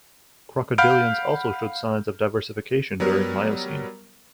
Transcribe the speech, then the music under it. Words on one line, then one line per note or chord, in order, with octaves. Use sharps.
Crocodilians also showed signs of diversification during Miocene.
F5 F#5 B5 F6 G6 D7
F#3 G3 B3 A#4